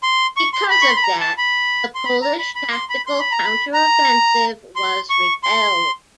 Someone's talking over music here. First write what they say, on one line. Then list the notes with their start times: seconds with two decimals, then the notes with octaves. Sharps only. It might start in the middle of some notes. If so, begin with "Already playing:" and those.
Because of that, the Polish tactical counter-offensive was repelled.
0.03 C6
0.37 C#6
0.53 C6
0.70 B5
0.82 C#6
0.89 C6
0.96 B5
1.03 A#5
1.21 A5
1.38 B5
1.95 C6
2.05 B5
2.22 A#5
2.39 B5
2.55 B5
2.73 C6
2.90 B5
3.07 C6
3.20 B5
3.32 A#5
3.44 B5
3.74 A#5
4.76 C6
5.10 C#6
5.44 C6